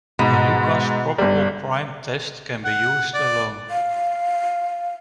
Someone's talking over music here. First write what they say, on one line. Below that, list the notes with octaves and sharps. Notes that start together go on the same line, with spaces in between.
A Lucas probable prime test can be used alone.
G#2 B2
G1 G3
F#5
D5
F5